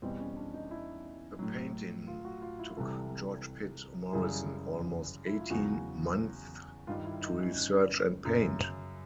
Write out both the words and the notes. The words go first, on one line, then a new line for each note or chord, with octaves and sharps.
The painting took George Pitt Morison almost eighteen months to research and paint.
E2 B2 G3 C4
C#4
D4
D#4
E4
A2 F#3
F4
F#4
F4
E4
C2 C3 E3 G3 A4
F#2 C#3 E3 G3 G#4
E4
F4
E2 C#3 F#3 F#4
G2 D#3 G3 F4
E4
D#4
C#4
F#2 C#3 F#3